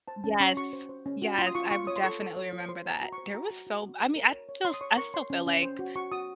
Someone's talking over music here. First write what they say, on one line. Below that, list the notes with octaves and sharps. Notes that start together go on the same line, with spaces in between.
Yes. Yes, I would definitely remember that. There was so I mean, I feel s I still feel like
C5 A5
C#4 A5
C#4 C#6
F#4 C#6
C5
C5
C#4
F#4
F4 C6
D#6
F4 C#6
F4 C#6
C#5 D#6
C6
A4 C#6
A4
C#5
F4
C5 C6
C5 A#5
F#4
C#6
C5
F#4 A#5
F#4
F#4
F#4
A#4
A#4
C#5
C#5
C#5 C6
D#6
C#5 C#6
A#4 C#6
C#5 C6
C#4
C#4
C5
F#4
F#4 C#6
F#4 D#6